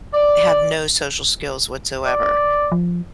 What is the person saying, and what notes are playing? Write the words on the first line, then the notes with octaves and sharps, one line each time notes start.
have no social skills whatsoever,
D5
D5
F3